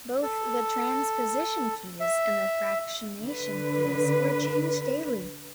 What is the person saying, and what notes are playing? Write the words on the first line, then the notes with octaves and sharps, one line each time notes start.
Both the transposition keys and the fractionation keys were changed daily.
A4
E5
D3 B4